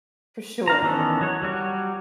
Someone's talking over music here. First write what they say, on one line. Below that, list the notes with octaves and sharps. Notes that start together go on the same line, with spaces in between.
For sure.
D4 F5 A#5
D#3 E3 B3 C#4 A4
F#3 C#5
F#3 G3 F#4 C#5